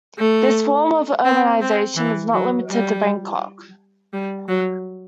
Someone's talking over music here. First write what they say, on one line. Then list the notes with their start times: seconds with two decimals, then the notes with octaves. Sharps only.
This form of urbanization is not limited to Bangkok.
0.18 A3
1.25 C4
1.61 C4
1.97 E3
2.33 F#3
2.70 G3
4.13 G3
4.48 F#3